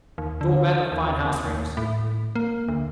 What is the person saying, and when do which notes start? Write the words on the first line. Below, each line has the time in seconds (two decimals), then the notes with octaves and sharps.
Door-bell of fine house rings.
0.18 D#2
0.41 D3
0.92 D#2
1.25 D#2
1.46 D#2
1.77 A2
2.35 A#3
2.68 D2